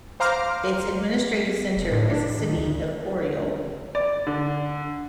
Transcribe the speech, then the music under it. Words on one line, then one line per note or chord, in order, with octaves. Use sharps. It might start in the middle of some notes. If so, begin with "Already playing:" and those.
Its administrative center is the city of Oryol.
C5 F5 A#5 D6 F6
F#1
A2
D4
F#2
D#3
D2
D5
D3